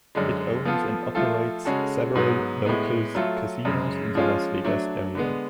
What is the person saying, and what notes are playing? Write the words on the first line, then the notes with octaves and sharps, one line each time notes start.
It owns and operates several locals casinos in the Las Vegas area.
F#2 D3 G#3
F3 B3 F4 A4
F3 A3 F4 A4
C#3 G#3 C#4 F#4 A4
G#2 F#3 B3
A2 G#3 B3
F#3 A3 F4 A4
F#2 C#3 G#3
F3 G#3 C#4 F4
F#3 A3 D4
D3 G#3 B3